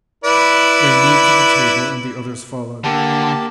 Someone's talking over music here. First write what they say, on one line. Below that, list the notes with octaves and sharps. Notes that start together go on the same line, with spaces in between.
They moved to the table and the others followed.
E4 B4 D5
D3 A#3 G4 A5